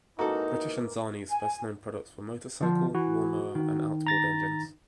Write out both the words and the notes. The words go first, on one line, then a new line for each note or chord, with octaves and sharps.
British Anzani's best known products were motorcycle, lawnmower and outboard engines.
E3 G#3 A#3 D#4 F#4 A4
G#5
D3 F3
E3 F#4
D#3
A#5 A6 A#6